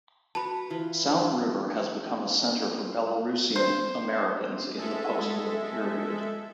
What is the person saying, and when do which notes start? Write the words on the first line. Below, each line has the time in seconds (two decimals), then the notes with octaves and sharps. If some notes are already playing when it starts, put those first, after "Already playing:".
South River has become a center for Belarusian Americans in the postwar-period.
0.35 F#4 B4 A5 B5
0.70 E3 F4 B4
3.56 C5
4.77 G#3 A4 E5